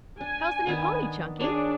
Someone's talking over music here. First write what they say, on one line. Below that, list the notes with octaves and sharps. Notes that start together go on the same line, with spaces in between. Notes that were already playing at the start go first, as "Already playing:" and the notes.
How's the new pony, Chunky?
D4 G#5
D#3 B3 D4
D4 G#4 C#5